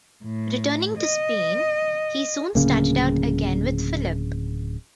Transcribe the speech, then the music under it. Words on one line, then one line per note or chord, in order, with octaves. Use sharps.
Returning to Spain, he soon started out again with Philip.
A2
D#5
D1 C#3 A#3